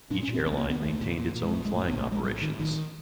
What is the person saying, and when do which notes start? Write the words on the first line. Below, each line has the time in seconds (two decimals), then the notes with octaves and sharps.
Each airline maintained is own flying operations.
0.10 A#2 D4
0.23 C#4
0.28 A#2
0.34 C4
0.46 C2 C4
0.52 A3
0.58 A#3
0.64 C2
0.70 B3
0.81 C2 A3
0.99 A#2
1.17 A#2
1.35 A#2
1.43 G#3
1.52 A#1 A3
1.65 G#3
1.71 A2
1.76 A3
1.88 A#1 B3
2.00 A3
2.06 A#1
2.12 G#3
2.23 A2 G3
2.42 A2 D#3
2.60 A#1 D#3